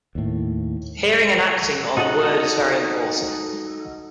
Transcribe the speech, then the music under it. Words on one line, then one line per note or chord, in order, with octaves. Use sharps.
Hearing and acting on the Word is very important.
D#2 A2
D#4 F#4 A4 D#5 F#5